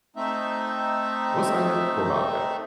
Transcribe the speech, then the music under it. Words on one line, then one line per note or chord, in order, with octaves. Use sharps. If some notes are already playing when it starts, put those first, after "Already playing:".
What's unethical about that?"
A3 C4 D#4 E5